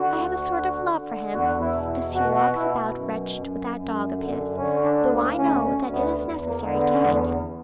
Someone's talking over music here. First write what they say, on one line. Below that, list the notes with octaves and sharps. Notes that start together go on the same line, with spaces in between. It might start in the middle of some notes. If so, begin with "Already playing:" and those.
I have a sort of love for him, as he walks about wretched with that dog of his, though I know that it is necessary to hang him.
Already playing: D3 F#4
D2
D3
D3
E2 F#4
E4
B2
E4
B2 F#4
F#4
B2 E4
F#2
F#2
F#2
D3
D3 C#4
D4
D2
A#3
D2 C#4
C#4
D2
B3
E2
A#3
D3
B3
C#4
E2 B3